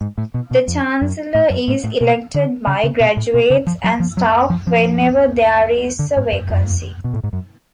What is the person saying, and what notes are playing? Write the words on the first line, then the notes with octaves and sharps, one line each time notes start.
The chancellor is elected by graduates and staff whenever there is a vacancy.
G#2
A2
B2
B2
F2
F#2
A2
F#2
A2
A2
B2
D3
C#3
C#3
B2
A2
B2
C#3
F3
F#3
F3
F#3
F3
F3
D3
G#2
F#2
F2
B2
A2
G#2
F#2